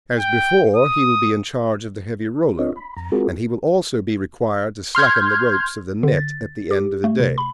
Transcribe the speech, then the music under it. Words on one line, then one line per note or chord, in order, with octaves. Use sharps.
As before, he will be in charge of the heavy roller, and he will also be required to slacken the ropes of the net at the end of the day.
G5
D#6
C4 D4 F4 C#5 D#5
B5
F2 A#5
G#3 C4 F4 F#4 G#4 A#4
C6 F6 G6 G#6
D3
A6
G4
A3
C3
B5